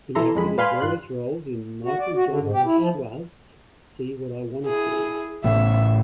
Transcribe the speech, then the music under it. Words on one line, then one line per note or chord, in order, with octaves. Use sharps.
He acted in various roles in Michael John LaChiusa's "See What I Wanna See".
E3 E4 A4 A#5 C6
F2 G#3 B5
B4 D5 F5 G#5 B5 C6
G2 F4 C6 F#6
F#4
D5
F#4
D3
G#2
G4
E4
F3
E4 G#4
A1 A2 C#3 E5